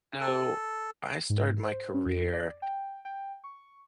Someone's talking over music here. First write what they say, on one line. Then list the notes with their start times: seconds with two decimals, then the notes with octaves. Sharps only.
So, I started my career
0.21 A4
1.30 G#2
1.64 C5
1.94 C#4
2.06 F2
2.33 D5
2.62 G5
3.05 G5
3.44 C#6